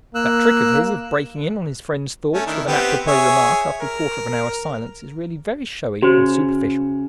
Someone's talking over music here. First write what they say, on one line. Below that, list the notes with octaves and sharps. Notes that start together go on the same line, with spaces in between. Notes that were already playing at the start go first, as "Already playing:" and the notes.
That trick of his of breaking in on his friends' thoughts with an apropos remark after a quarter of an hour's silence is really very showy and superficial.
A#3 E6 F#6
A3 C#4
D#3 D4 E4
B3 C4 G4
G#4 C#5 E5
A#4
C#3 F#4 C5